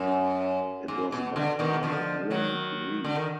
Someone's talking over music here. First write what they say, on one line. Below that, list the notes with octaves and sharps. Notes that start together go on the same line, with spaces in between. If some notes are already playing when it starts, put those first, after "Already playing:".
It was backed by Allen Lee.
Already playing: F#2
G#2
B2
D3
B2 D#3
D3 F3
D#3 F#3
D3
D#3